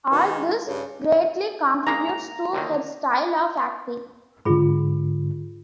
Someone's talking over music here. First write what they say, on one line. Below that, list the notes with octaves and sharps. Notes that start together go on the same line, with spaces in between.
All this greatly contributes to her style of acting.
B2 D#3
G#3
G2 C#3
C#3 G#3 A#3 A#5
D#2 D3 D#3
G#2 D3 F4 G#4 B5